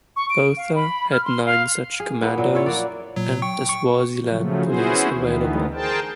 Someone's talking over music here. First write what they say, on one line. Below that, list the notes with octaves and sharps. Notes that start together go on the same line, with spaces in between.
Botha had nine such commandos and the Swaziland Police available.
C#6
D7
F5
B5
F6
C6
F5
G#4
A#3 B3 E4
A#2 F#3 A#3
C#4 E4 F4 C#5
A#3 F#4 D5
A#2 F#3
G5 C#6
C#6
C#3 F3 F#3 A3
B3 C#4 E4 F#4 G#4 C5
D2 D#3 E3 B3
G#4 A#4 C5 G5 A5